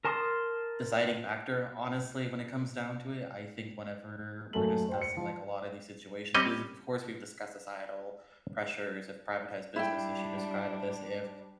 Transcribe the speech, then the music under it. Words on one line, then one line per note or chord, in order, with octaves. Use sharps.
deciding factor, honestly, when it comes down to it. I think whenever we're discussing, like, a lot of these situations, be of course we've discussed societal pressures, if privatized businesses should describe this, if
A#4 A5 C6 D#6
F#2 A3 A#3 A4 F#7
C5 G5
C#7
F3
G3 C4 C#4 D#5
G3 D4 E4 G5